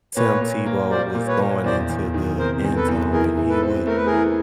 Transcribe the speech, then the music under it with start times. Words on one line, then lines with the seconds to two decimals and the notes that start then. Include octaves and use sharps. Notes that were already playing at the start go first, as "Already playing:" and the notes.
Tim Tebow was going into the end zone, and he would
0.16 A#2 B4 C#5
0.41 A#2
0.66 A#3
0.90 G3 C5 D5
1.15 A#2
1.27 B4 C#5
1.39 A#2
1.64 E2 C5 D5
1.90 E2
2.14 D#3
2.39 C3 A#4 C5
2.64 E2
2.76 A4 B4
2.88 E2
3.13 E3 G#4 A#4
3.37 E3
3.49 A4 B4
3.63 C4
3.87 A3 A#4
3.97 B4
4.06 G#4 A#4
4.12 E3